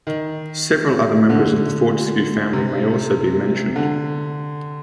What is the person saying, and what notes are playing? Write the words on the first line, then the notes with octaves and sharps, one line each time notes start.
Several other members of the Fortescue family may also be mentioned.
D#3
D3
C3
D3